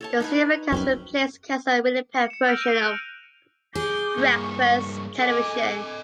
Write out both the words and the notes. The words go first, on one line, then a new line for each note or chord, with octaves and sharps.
The simulcast replaced the cancelled Winnipeg version of "Breakfast Television".
A4 C#5 A5
D#4 B4 G#5
F#2 C4 C#4 B4
C#7
C#7 E7
E6 F6 G6 A#6 D7 F7
G6 D7 D#7
F#6 F7
G#4 D6 G6
G2 A#3 C#6
A4 D#5 G#5 D6